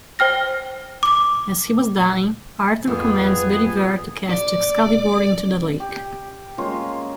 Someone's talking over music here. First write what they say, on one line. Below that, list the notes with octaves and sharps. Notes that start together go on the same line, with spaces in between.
As he was dying, Arthur commands Bedivere to cast Excalibur into the lake.
C5 G5 F6 A#6
D6
F2 B3 G#4 B4
D5
G4
G#3 A#3 C#4 F4